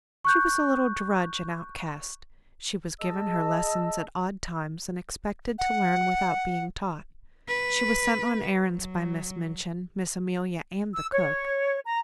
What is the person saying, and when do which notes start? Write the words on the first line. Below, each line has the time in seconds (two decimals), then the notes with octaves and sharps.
She was a little drudge and outcast; she was given her lessons at odd times and expected to learn without being taught; she was sent on errands by Miss Minchin, Miss Amelia and the cook.
0.25 C#6 F#6 G6
3.00 G#4 D#5 A5 E6
5.59 F#5
7.48 B4
8.72 F#3
10.94 E6
11.12 C#5
11.85 A#5